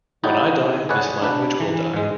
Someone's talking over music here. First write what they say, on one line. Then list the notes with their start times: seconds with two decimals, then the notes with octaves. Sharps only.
When I die, this language will die.
0.24 D#4 E4 F#4 G4 C#5 D5
0.89 G#4 A4 B4 C#5 D5 F#5
1.22 D4 B4
1.60 E3
1.94 G#2 G#3